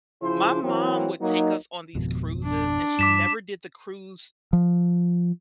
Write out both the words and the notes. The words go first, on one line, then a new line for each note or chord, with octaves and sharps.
my mom would take us on these cruises and she never did the cruise,
C#3 F3 E4 G#4 C5
E3 F#3 A#3 C4
F#3 A#3 D#4
G#1 F2 B2
D4
G2 D6 B6 E7
F3